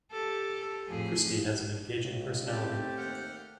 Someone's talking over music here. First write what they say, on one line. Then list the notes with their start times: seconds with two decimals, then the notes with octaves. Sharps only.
Christy has an engaging personality.
0.11 G4 A4
0.89 F2 A2 G#4
2.03 C#2
2.46 A3 C4 G4 A5
2.97 D#2 F#5 F6 G6